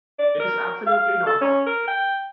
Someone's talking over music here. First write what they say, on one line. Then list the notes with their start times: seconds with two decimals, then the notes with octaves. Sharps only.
It is absolutely not on.
0.19 D5
0.40 A#4
0.87 F5
1.27 A4
1.42 C#4
1.66 A#4
1.88 G5